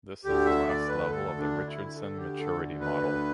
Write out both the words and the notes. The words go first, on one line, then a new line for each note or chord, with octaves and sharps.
This is the last level of the Richardson Maturity Model.
D2 D3 G4
E5
D5
B4
A4
D4
E4
A4
G4
A4
B4